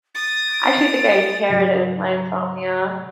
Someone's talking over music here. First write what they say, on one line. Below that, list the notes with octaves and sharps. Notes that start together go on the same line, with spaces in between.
I actually think I inherited my insomnia.
D#6 A6
D7
G#2 C#3 F#3